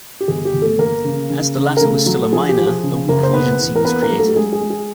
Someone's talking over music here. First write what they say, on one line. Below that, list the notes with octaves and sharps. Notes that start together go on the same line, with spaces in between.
As the latter was still a minor, a weak regency was created.
G4
G1 G#4
G4
G1
A3 A4
G1 A#3 A#4
C#3
C#3
C#3
A#4
C#3 A3 A4
F#3
A4
F3 G#4
G4
F3
G#4
C#3
F#1 A#3 A#4
C5
B2 B3 B4
E2
A#4
A#3 B3 B4
A#3 A#4
F#3
A3 A4
G4
G#3 G#4
G#4
G#3
G#4